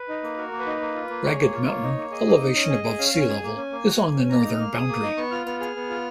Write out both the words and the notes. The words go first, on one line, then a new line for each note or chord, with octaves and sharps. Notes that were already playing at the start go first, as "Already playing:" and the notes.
Ragged Mountain, elevation above sea level, is on the northern boundary.
Already playing: B4
D#4
A#3
F#4 A#4
A#3
B4
D#4
A#3
F4
A#3
G#4 C#5
A#3
F4
A#3
D#4
A#3
G#4 D#5
A#3
D#4
C#4
G#4
G#4
C#4 F5
C#4
G#5
G#4
A#3
C#4
A#3
F#4
A#3
C#4
A#3 A#5
D#4
F6
A#3
G#4 D#6
A#3
D#4
B3 C#6
F4 F6
B3 F6
G#4 F6
B3
F4